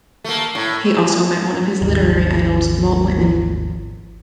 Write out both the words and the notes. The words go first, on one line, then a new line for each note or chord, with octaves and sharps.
He also met one of his literary idols, Walt Whitman.
A3 A#3
A2
G#1 D#2